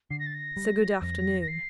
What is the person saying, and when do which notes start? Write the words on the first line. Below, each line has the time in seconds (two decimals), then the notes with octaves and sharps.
So good afternoon.'
0.11 D3 C7
0.19 A#6
0.26 A6
0.35 A#6
0.57 G3
1.02 F2 A#6
1.42 A#6
1.48 C7